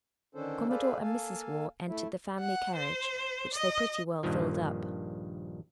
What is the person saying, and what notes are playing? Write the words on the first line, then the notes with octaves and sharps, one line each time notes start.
Commodore and Mrs. Waugh entered the family carriage, which they pretty well filled up.
D3 D#3 C#4 D4 A4 C5
G#4 A4 B4 C5 D5 F5
A#3 A4 F5 G#5 A5
A3 E4
F#5
C5
D#5
A#1 G2 D#3 F3